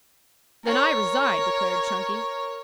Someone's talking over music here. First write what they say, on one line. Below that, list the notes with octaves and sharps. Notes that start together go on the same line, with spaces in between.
"Then I resign," declared Chunky.
A#4 C#5